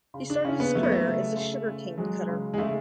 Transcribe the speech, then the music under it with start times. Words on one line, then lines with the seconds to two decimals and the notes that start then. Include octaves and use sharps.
He started his career as a sugar cane cutter.
0.14 C#3
0.30 D4
0.45 C#3 C#4
0.60 B3
0.75 F#3 A3
0.83 B3
0.92 A3
1.06 C#3
1.37 C#3
1.67 C#3
1.98 F#3 G#3
2.29 C#3
2.54 G#3
2.58 C#3 A3